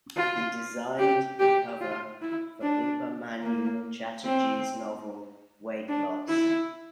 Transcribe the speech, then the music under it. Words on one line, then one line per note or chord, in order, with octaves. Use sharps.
He designed the cover for Upamanyu Chatterjee's novel, "Weight Loss".
F4
G4
G4
F4
E4
D4
A#3
C4
D4
E4